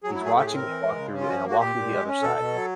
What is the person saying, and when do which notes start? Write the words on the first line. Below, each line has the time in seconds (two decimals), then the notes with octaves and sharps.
he's watching me walk through, and I walk through the other side,
0.04 F#3 G#4
0.15 E4
0.20 A3
0.25 G#4
0.35 A2 A4
0.41 G4
0.46 G#4
0.51 C4 A#4
0.66 E3
0.82 G#3
0.97 C#3
1.14 C#4
1.21 F4
1.28 F3 F#4
1.45 A#3
1.50 F#4
1.60 A#2 G4
1.76 A#2
1.91 G#3
2.07 C#4
2.22 B2 A4
2.39 B2
2.53 F#3